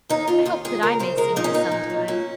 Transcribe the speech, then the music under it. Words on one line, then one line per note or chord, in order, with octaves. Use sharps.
I hope that I may see him sometime.
D#2 D#4
D#2 F4
D#2 F4
G#3 G#4
C#3 A#4
C#3 C5
G#3 A#4
A#2 D#4
C#4
A#2 D#4
A#2
F#3
A#2 C#4